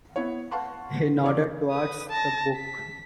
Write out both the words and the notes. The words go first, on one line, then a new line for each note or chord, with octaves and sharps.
He nodded towards the book.
B3 E4 C#5
B4 F5 F#5 A5 C6 C#6
E2 C#5 D5 D6
B4 D#6
A5 A#6
B6